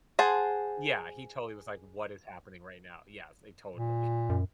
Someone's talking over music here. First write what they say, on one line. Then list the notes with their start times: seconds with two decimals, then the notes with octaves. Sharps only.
Yeah, he totally was like, "What is happening right now?" Yes, they totally.
0.19 G#4 C5 F#5 A5
3.76 A#2
4.29 F#2